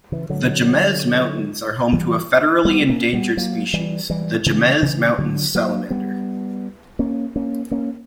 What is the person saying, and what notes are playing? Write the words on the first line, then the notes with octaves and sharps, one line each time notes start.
The Jemez Mountains are home to a federally endangered species, the Jemez Mountains salamander.
C#3 E3
D3 F#3
E3 G3
G3 B3
A#3 C#4
G3 B3
F#3 A#3
E3 G3
E3 G3
C#3 E3
C#3 E3
D3 F#3
F#3 A#3
G3 B3
A#3 C#4
A#3 C#4
A#3 C#4